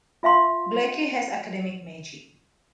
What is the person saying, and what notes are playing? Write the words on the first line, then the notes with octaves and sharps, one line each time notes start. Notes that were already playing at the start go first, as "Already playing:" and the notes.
Glaki has academic magic.
F4 E5 F5 C6